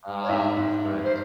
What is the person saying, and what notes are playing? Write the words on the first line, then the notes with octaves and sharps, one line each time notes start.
Ah, that's nice.
C#5
G#2 E5
G#2
G2
C5